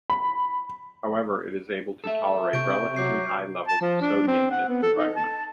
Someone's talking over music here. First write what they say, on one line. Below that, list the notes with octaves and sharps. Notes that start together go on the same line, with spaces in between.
However, it is able to tolerate relatively high levels of sodium in its environment.
B5
A4 E5
C3 C#6 G6 D7
F#3 D6 G6 C7
A5
F3
D4
C4
F#5
B3
A4
D#4
A5